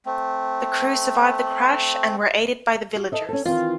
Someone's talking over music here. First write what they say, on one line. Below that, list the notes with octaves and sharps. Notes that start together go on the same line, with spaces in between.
The crew survived the crash and were aided by the villagers.
A3 C4
F#4
A4 D#5 E5
C#4 A4
D#3 E3 C4 F4